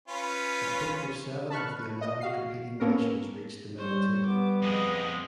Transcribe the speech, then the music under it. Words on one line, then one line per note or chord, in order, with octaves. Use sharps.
A total of seven of the eleven competing nations reached the medal table.
C#4 F4 B4
A5 B5 C#6 F6 F#6
D#5
F#4 F5 C7
A#3 B3 C#4 A4 A#4
G3 C5 C#5
B3 D6
F2 G#3 G#4 D#5